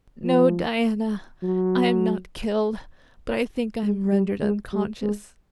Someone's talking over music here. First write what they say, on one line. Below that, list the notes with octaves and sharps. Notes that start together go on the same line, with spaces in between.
"No, Diana, I am not killed, but I think I am rendered unconscious."
F3
F#3
G#3
G3
G#3
G3
G#3